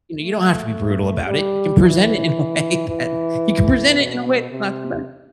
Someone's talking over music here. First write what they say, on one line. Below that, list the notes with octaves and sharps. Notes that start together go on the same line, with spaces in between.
you don't have to be brutal about it, you can present it in a way that you can present it in a way that we can talk about it.
A3
G3
E3
E3
B2
C3